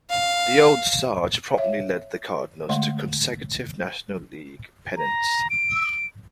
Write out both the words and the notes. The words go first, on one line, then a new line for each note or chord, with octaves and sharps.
The Old Sarge promptly led the Cardinals to consecutive National League pennants.
F5
C#5 E5 F5
D3 G#3 A3 D#5 F5 C6
A#5
D7